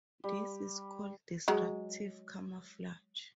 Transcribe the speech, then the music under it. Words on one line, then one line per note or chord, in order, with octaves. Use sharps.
This is called disruptive camouflage.
G3
F#3 G#3